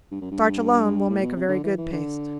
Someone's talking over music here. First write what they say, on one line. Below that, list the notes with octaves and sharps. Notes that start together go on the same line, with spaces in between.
Starch alone will make a very good paste.
G2
F#2
G2
A2
B2
C3
D3
E3
E3
D3